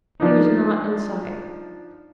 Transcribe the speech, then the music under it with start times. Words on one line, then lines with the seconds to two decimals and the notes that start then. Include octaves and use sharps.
He was not in sight.
0.20 F3 D4 D#4